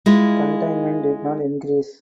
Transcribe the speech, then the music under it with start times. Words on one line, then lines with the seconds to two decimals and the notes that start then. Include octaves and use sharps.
Containment did not increase.
0.06 G#3 E4 F4